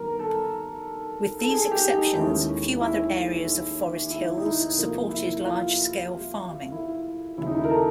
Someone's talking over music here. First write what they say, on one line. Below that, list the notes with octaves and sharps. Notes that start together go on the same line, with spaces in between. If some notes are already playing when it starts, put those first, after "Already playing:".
With these exceptions, few other areas of Forest Hills supported large-scale farming.
Already playing: G2 D#3 F#3 B3 A#4
A4
A4
G#4
G4
D#4
D#2 D#3 G#3 C#4 E4
E4
E4
D#4
E4
C3 F3 A#3 F4
E4
F4
E4
D#2 C#3 F#3 E4
D#4
E4
A#4
A4